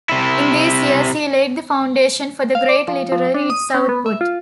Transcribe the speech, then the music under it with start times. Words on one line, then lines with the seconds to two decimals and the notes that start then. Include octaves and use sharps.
In these years he laid the foundation for the great literary its output.
0.09 C3 E4
2.55 F5
2.69 D5
2.88 F3
3.12 F3
3.34 D4
3.50 D#6
3.75 C#4
3.89 B3
4.06 E5
4.21 F4